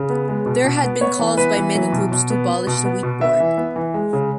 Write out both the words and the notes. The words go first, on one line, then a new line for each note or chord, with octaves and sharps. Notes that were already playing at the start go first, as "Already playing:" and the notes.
There had been calls by many groups to abolish the Wheat Board.
Already playing: C#3
B3
G#3
B2
B2
B3
B3 C#5
E3
B3 B4
E3
F#3
B2
B2
B3
B3
B2
B3
B2
B3 E5
E3
B3
E3
G#3
C#3